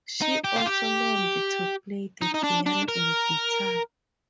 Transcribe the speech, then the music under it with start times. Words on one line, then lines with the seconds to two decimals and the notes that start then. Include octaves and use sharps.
She also learned to play the piano and guitar.
0.22 D#4
0.44 G4
0.56 F4
0.67 G4
2.22 D#4
2.34 D#4
2.44 D4
2.66 D4
2.88 A#4